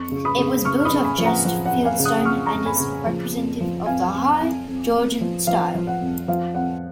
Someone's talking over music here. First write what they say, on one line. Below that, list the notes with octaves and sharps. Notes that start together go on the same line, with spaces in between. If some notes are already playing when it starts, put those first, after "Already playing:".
It was built of dressed fieldstone and is representative of the high Georgian style.
Already playing: F2 C#6
C#3
B5 D#6
C#3
C#3 C#6 F6
F6
B5 D#6
C#3
G#5 B5
F3
F#5 A#5
F3 F#5
F#5
F2
F5 G#5
C#3
D#6 F#6
F2 C#6 F6
A#5 C#6
F2
G#5 B5
C#3
F3
F2
F3
F2 F5 G#5
F2
F2
F2
F2
F3
F3 F5
F3
F#5
F2
F3 F5
F2 F#5